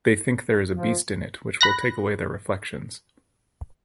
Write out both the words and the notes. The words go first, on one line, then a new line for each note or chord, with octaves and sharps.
They think there is a beast in it which will take away their reflections.
F3
B5 F#6 A#6